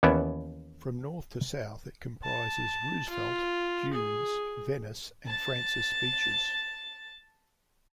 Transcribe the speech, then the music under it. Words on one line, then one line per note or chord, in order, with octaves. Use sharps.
From north to south it comprises Roosevelt, Dunes, Venice, and Francis Beaches.
D#2 E3 B3 C#4 D5 E5
A5
F4
G#4
A5 A6